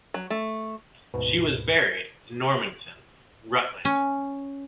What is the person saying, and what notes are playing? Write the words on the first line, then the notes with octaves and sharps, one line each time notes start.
She was buried in Normanton, Rutland.
F#3
A3
D2 G#2 B2 B4
C#4